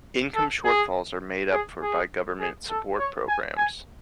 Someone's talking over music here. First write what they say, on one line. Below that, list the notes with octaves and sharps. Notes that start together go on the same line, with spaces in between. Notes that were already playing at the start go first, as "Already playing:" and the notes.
Income shortfalls are made up for by government support programs.
A4
G#4
G#4
G#4
G#4
A4
C#5
G#5
G#5